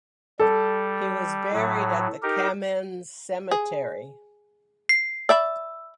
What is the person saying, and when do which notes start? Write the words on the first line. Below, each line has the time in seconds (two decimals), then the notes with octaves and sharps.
He was buried at the Kamenz cemetery.
0.40 G3 A4
1.53 A2 F#3
2.23 D#4 G4 A#4
3.51 G#4
4.89 C7
5.29 D5 E5 B5 E6